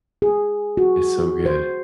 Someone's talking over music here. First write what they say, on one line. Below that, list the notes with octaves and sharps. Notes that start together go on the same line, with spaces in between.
it's so good.
G#4
F#4
C5